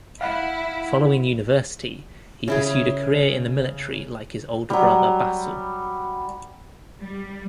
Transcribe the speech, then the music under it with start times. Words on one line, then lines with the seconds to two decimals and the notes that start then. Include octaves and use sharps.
Following university he pursued a career in the military like his older brother Bassel.
0.21 E4 F5 F#5 B5
2.48 C#3 E4 G#4
4.70 F#3 G3
7.01 G3